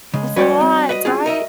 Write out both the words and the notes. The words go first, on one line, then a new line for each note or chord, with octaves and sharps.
That's a lot, right?
C#3 G#3
G3 F#4 B4 C#5 D5 G5
C4
B4 D#5
C#4 F4 G#4
A#4 D#5 E5